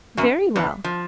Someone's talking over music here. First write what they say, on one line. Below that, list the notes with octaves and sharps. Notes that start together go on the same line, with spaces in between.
"Very well."
F#2 F#3
E2 E3
F3